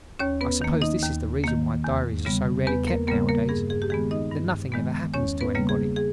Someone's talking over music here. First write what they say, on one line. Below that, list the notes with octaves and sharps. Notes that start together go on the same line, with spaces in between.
I suppose this is the reason why diaries are so rarely kept nowadays--that nothing ever happens to anybody.
D#2 C#4 C#5
B3 B4
D#3 A#3
D#4 D#5
D#2
D#3 A#3
E2
C#3 G3 B3
E2 B3 B4
A#3 A#4
C#3 G3 A#3 B3 A#4
A#3 A#4
G2 G#4
G#4
G4
D#3 G#3 B3 G#4
D#4 D#5
G2
D#3 G#3 B3
E2 C#4 C#5
B3 B4
C#3 G3 A#3
G#4
G#4